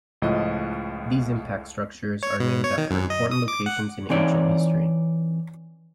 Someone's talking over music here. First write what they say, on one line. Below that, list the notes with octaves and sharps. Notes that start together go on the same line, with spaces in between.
These impact structures are named after important locations in ancient history.
C#2 A2 F3 D#5
C#5
B2
C#5
D#3
F#2
D#5
D#6
D6
F#5
E3 C4 D#4 C#5 D5